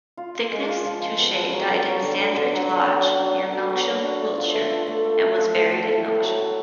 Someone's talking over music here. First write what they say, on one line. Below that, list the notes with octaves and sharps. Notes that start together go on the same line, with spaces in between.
Thicknesse-Touchet died in Sandridge Lodge, near Melksham, Wiltshire and was buried in Melksham.
F4
F4
G#3
F4
F3
F3
B3
F3
F#3
D3
F#3
D3
D3
D3
F#3
F#3
F#3
F#3
D4
F#3
F#3
B3
F#3
D4
A3
F4
A3
F4
A3
A3
A4
F4
A2
A3
A2
A3
F#3
F#3